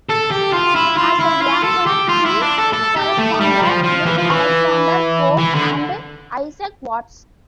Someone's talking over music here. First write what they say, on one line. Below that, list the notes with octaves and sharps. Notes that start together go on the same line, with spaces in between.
As a young man, he corresponded with Alexander Pope and Isaac Watts.
A4
G4
F4
E4
F4
E4
F4
A4
G4
F4
E4
D4
A4
A4
G4
A3
G3
F3
F3
E3
F3
E3
E3
D3